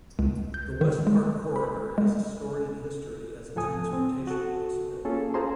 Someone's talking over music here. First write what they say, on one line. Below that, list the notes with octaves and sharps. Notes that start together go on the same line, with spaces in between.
The Westpark corridor has a storied history as a transportation possibility.
C#2
G6
D#3
G#3
B5
G#3
C#2 A2 F3 A4 G#5 D#6
C4
F#4 A4
A#3 C#4 F4 G#4 A4
F4 G#4 C5 A#5 C6